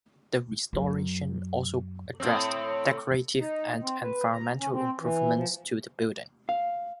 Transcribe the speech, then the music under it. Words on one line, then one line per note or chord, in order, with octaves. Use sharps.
The restoration also addressed decorative and environmental improvements to the building.
F#2
A2 C4
D#4
C4
B4
A#5
C#4
C4
E3
F3
F5